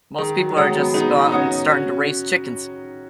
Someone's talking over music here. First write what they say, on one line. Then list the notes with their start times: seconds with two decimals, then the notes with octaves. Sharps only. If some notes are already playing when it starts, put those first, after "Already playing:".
Most people are just go out and starting to raise chickens.
0.19 D#3 G#4
0.38 F#3
0.51 F#3
0.56 D#3 G#3 C#5 F#5 D#6
0.75 F#3 B3
0.94 B3 D#4 G#4
1.25 D#4
1.32 C#4 F#4 C#5 F#5 D#6
1.70 C#4 F#4 C#5